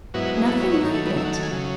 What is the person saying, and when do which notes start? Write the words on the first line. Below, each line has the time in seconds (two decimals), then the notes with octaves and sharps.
Nothing like it.
0.14 G#2 F#3 B3 E4 F#4
0.26 F#4
0.37 G#4
0.49 A4
0.60 C#5
0.72 C#5
0.83 D#3 F#3 A3 C#5
0.94 A4
1.06 B4
1.17 E5
1.25 F#5
1.34 A5
1.43 G#5
1.51 C#3 F#3